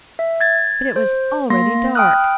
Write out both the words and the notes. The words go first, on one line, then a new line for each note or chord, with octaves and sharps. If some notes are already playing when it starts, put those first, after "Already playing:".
But it was already dark.
E5
G#6 A6
C5
A#3 C6 A#6
G5 B5 D#6 F6 F#6